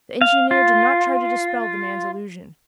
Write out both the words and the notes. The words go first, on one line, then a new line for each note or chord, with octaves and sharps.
The engineer did not try to dispel the man's illusion.
F5
F4